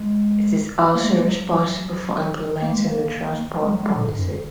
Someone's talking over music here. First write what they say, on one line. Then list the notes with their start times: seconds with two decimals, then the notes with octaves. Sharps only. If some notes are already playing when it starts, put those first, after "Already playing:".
It is also responsible for implementing the transport policy.
Already playing: G#3
0.95 A#3
1.04 G#3
1.11 A#3
1.20 G#3
1.29 F#3
2.62 A#3
2.73 G#3
2.82 A#3
3.63 G#3
3.71 F#3
3.83 G#3
3.88 F#3
3.96 A#2
4.08 G#2
4.19 F#2